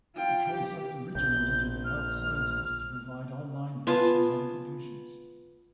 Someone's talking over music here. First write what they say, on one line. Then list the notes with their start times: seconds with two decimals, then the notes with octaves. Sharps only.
The concept originated in the health sciences to provide online help for medical patients.
0.15 F4 G5
0.51 G4
1.15 A#1 G6
1.85 F6
3.87 B3 F4 G#5 A5